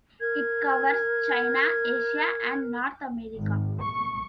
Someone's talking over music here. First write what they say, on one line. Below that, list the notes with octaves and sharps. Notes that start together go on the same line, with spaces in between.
It covers China, Asia and North America.
A#4 G#6
G#1
C#6